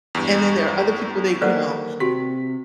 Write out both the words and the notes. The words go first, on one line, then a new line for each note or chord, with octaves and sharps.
and then there are other people they you know,
E2 G2
D#2 A#3 A4 B4 C5 D5 F#5
C3 F#4 G4 B6